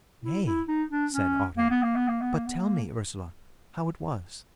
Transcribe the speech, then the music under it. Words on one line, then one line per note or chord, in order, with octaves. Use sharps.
"Nay," said Otto, "but tell me, Ursela, how it was."
E4
E4
D#4
D4
C#4
A#3
B3
A#3
B3
A#3
B3
A#3
B3
A#3